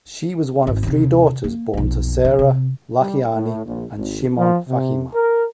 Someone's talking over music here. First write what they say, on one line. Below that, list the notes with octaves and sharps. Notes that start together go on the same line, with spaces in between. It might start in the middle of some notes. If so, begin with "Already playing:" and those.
She was one of three daughters born to Sarah Lahiani and Shimon Fahima.
G#1
D#2 C3
A#3
B1 F2
B1 D3
C3
G3
A2
A#1
G#1
F3
C3
A#4